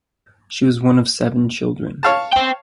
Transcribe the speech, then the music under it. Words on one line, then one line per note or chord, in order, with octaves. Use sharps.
She was one of seven children.
C#5 F5 A5
C5 G5